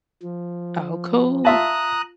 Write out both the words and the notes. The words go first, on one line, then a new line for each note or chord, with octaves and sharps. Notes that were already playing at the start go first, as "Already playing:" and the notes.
Oh, cool.
F3
F4 E5 A5 A#5 D#6 F#6